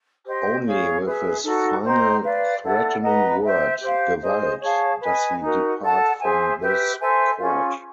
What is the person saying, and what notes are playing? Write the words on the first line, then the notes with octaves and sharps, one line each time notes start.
Only with his final threatening word, "Gewalt", does he depart from this chord.
G4 C5 D#5 G5
G#4 C#5 F5
G#4 B4 E5
D#4 F#4 A4
C5 D#5 G5 A#5
B4 D5 F5
E4 A4 D5 F#5
B4 D#5 F#5 A#5
C5 E5 G5
G4 C5 F5
G#4 C5 D#5
G#4 C#5 F5 A5
B4 D#5 G#5
D#4 F#4 A#4
A4 D5 F#5 A5
G#4 C5 E5 G#5
G4 B4 E5 G5
A4 C5 E5 G#5
C#4 F4 G#4